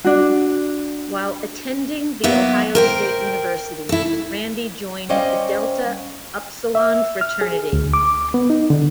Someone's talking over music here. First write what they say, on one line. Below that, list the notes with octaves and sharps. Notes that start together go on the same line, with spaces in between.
While attending the Ohio State University, Randy joined the Delta Upsilon Fraternity.
D4 F#4
F#3 A#3 B3 E5
A#4 C5 G5
E4 A4
G3 C#4 C5 D5 D#5 F5
E5
F6
G#4
D2
D6
B3
D#4
D3